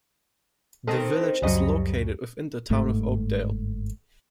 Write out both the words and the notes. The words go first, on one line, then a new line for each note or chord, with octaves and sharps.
The village is located within the Town of Oakdale.
D#3 C4 A4
C#2 F#2 F#3 G3 D#5
G1 G#2 A3